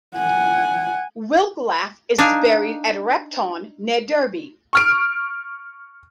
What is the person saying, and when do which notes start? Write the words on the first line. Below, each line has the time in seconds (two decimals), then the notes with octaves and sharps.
Wiglaf is buried at Repton, near Derby.
0.15 F#5 G#5
2.18 D4 D#4 F5 G#5
4.73 C#6 F6 D7